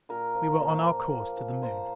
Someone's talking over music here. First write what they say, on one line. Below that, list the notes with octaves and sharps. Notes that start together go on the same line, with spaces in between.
We were on our course to the Moon.
A#2 A#4
F3
A#2
A#3
A#2
F3
A#2 C5